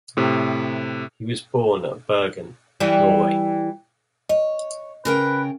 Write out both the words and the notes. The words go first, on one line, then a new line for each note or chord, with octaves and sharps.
He was born at Bergen, Norway.
A2 C3
E3 G3
C#5 D#5
C#3 A#4 B4 G5